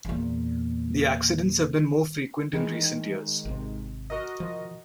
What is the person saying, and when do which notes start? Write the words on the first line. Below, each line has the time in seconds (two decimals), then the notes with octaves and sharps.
The accidents have been more frequent in recent years.
0.05 E2 A#2
2.53 D#3 E3 G#3
3.45 G#1 C3
4.10 F#4 A#4 D#5
4.40 F3